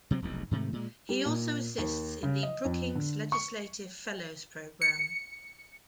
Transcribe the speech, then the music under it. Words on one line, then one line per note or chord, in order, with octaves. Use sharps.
He also assists in the Brookings Legislative Fellows program.
C3 F#3 G#3 C4
F1 B1 E2
G#2 C3 D#3 A3
A#2 G#3
G3
A#2
D#2
C#3
D#5
F2
D3
C#6
C#7